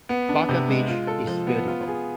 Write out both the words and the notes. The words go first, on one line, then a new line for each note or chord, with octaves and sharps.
Baga beach is beautiful.
B3
D4
C3
G#3
F4
A4
F3
B3
F4
G#4